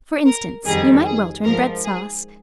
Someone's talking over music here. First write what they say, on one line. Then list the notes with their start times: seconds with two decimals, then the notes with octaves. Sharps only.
For instance, you might welter in bread-sauce.
0.25 A#4
0.65 F2 D#3 G3 G#4
1.05 G#4
1.44 G#2 F3 A#4
1.84 G#4